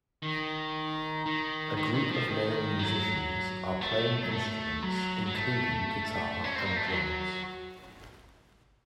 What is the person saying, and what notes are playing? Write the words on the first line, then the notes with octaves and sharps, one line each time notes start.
A group of male musicians are playing instruments including guitar and drums.
D#3
D#3
D#3
D#3
F3
D#3
F#3
A3
F#3
A3
F#3
F#3
A3
C#4
C4
A#3
A3
F#3